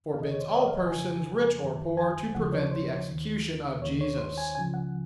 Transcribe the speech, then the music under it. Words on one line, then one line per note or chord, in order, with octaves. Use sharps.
Forbids all persons, rich or poor, to prevent the execution of Jesus.
F2 C3 D#3 F5
D#5
C#5
C5
C#5
D#5
F5
F#5
F2 C#3 F3 G#5
F#2 D#3
G#5
D#2 C#3 F3 F#5
C#5
C5
D#2 D#3
D#2 D#3 C#5
C#5
C5
G#5
C#2 C#3 F3 G#5
F#5